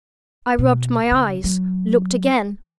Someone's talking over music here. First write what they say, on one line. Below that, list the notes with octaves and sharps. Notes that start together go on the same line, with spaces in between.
I rubbed my eyes; looked again.
B2
C#3
F#3